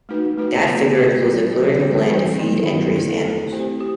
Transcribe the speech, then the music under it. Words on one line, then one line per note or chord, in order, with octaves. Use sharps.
That figure includes the clearing of land to feed and graze the animals.
A3 D#4 F#4 B4
A3 D#4 F#4 B4
B3 F#4 B4
B3 F#4 B4
F#3 B3 F#4 A4
F#3 B3 F#4 A4
E3 G3 C4 F#4 B4
E3 G3 C4 F#4 B4
D#3 F#3 B3 E4
D#3 F#3 B3 E4
A3 E4 A4
A3 E4 A4
C4 E4 G4 C5
G4 C5